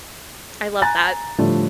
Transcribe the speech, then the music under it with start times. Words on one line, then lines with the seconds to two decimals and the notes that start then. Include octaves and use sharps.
I love that.
0.82 G#5 A#5 F#6 A6
1.38 A2 D3 F3 G3 A3